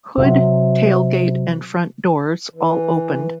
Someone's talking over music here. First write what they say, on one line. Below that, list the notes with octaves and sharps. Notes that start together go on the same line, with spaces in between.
Hood, tailgate, and front doors all opened.
C3 F#3
E3